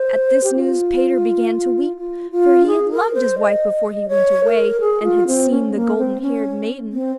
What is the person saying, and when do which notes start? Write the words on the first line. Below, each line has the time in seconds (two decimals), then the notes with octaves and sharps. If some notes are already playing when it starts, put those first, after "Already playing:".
At this news Peter began to weep, for he had loved his wife before he went away and had seen the golden-haired maiden.
Already playing: C5
0.44 G4
0.55 F4
1.97 F4
2.31 F4
2.67 G#4
2.91 A#4
3.14 C5
3.39 D#5
4.08 C#5
4.44 A#4
4.80 G#4
5.03 F4
5.27 C4
5.50 C#4
5.75 A#3
5.98 C4
6.22 C#4
6.93 C4